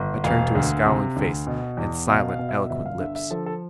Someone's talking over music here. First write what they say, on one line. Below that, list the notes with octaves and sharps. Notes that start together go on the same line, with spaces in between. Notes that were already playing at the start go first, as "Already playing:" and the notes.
I turned to a scowling face, and silent, eloquent lips.
Already playing: G1
E1 F5
D2
C3
D2
B2
E2
B2 F5
F5
B2
E5
G1 E5
F5
D3 E5
E5
F3 A4
A4